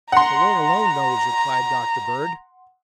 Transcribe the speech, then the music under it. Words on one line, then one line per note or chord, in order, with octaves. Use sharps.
"The Lord alone knows," replied Dr. Bird.
F#5 A#5 C6